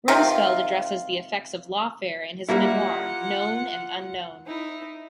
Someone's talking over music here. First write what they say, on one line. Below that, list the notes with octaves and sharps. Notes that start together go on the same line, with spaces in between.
Rumsfeld addresses the effects of lawfare in his memoir "Known and Unknown".
C3 D#3 F4
G3 A#3 E4 F4 F#5
D#4 E4